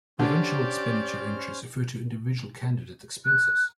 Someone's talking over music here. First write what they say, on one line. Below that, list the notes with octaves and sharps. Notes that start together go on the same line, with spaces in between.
Provincial expenditure entries refer to individual candidate expenses.
D3 C#4 G4 C5 D5 F6
F#6